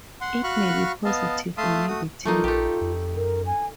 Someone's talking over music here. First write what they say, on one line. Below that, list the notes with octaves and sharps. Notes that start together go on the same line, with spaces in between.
It may be positive or negative.
F#5 C6
F#4 F5 B5 C#6 F#6
B3 D#5 F5 A5
A3 E5 F5 A5 C6 D#6
A3 F#4 D#6
F#3 A3 A#3 D#4 F4
A#1 A3 G4
F2
F#2 A#4
G#5